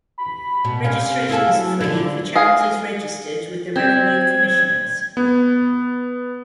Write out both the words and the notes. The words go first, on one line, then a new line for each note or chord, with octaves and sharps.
Registration is free for charities registered with the Revenue Commissioners.
B5
B2
C3 C#4 F5
E4 G#4 A4
F#3
D3 F3 E4
G#4 F5
C4 G#6
B3